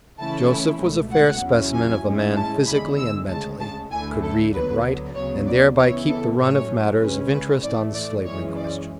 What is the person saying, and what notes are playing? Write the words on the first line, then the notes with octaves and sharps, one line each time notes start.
Joseph was a fair specimen of a man physically and mentally, could read and write, and thereby keep the run of matters of interest on the Slavery question.
C#3 E3 A3 C#4 E4 A5
C#2 B2 A3
F#5
E2 C#3 F#3 C#4 E4
G#5
A2 G#3 C#4 E4
A5
E2 D3 G#3 B5
E6
D2 C#3 G#3 A5
A5
D2 D3 A3 E4 G#5
A4
D2 D3 F#3 B3 B4
D2 C#3 F#3 B3 C#5
D5
C#3 E3 B3 E4 C#5
A4
A2 F#3 A3 C#4 C#5
C#2 C#3 G#3 C#4 B4
B4
A2 E3 A3 D5
D5
F#2 E3 G#3 C#4 C#5
D5